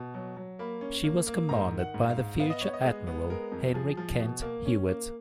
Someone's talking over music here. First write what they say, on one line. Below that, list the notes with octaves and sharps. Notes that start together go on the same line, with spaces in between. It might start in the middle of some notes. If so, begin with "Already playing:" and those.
She was commanded by the future admiral, Henry Kent Hewitt.
Already playing: B2
F#3
F#3
A#3 B5
C#4
A#3
A#3
G#2 A#5
D#3
F#5
G#2
F5
G#2
B3 F5
D#5
B3 C#5
D#5
G#3
B3
G#3 A#4
F2
F3 G#4
F3
B2
A#3
C#4
A#3